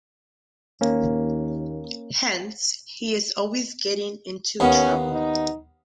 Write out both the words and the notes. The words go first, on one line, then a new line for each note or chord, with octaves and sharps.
Hence, he is always getting into trouble.
D#2 A#3 C#4
D#2 B3 C#4
D#4